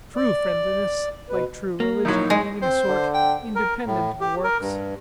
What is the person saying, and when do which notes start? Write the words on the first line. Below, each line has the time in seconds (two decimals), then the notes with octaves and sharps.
True friendliness, like true religion, being in a sort independent of works.
0.16 D5
1.30 B2 B4
1.80 A#3
2.05 B1 A2 F#3 D#4
2.30 G#3
2.62 C4 C5
2.88 D3
3.14 G5
3.56 A#4
3.86 A2
4.21 G4
4.44 A#4
4.61 G2